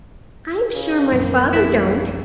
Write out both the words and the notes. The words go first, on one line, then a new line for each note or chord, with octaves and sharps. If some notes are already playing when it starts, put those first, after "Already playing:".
"I'm sure my father don't."
C#3
A#1 F#2 E3 A#3
E4